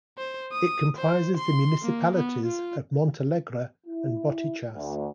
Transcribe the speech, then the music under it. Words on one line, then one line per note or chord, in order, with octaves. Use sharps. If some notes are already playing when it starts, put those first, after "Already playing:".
It comprises the municipalities of Montalegre and Boticas.
C5
D#6
C5
C6
A#3
B3
F4
E4
D2